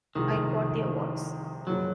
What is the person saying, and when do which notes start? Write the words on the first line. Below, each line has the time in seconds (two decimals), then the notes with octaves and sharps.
I got the awards.
0.15 C2 C3 D#3 F3 G#3
1.67 F#1 F#2 C#3 F3 F#3 G#3